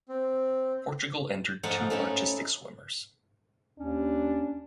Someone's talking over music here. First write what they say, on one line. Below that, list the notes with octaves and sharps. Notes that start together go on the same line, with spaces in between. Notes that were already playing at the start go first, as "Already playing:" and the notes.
Portugal entered two artistic swimmers.
C4
G#2 F3 A3 D#4 F#5
A3 C#4 D#4 E4
D#2 C#4 D4